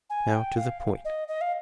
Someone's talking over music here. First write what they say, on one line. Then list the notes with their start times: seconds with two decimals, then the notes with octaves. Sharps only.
Now, to the point.
0.10 G#5
0.34 G5
0.57 F5
1.05 D#5
1.28 D#5
1.41 F5